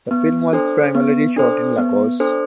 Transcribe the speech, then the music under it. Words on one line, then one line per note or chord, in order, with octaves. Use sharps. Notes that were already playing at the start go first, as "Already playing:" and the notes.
The film was primarily shot in Lagos.
B3
D4 A4 C5
B3
D4 A4 C5
B3
D4 A4 C5